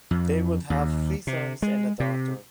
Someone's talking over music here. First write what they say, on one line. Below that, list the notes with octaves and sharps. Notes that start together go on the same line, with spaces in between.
They would have three sons and a daughter.
F2
D#2
C3
G#3
C3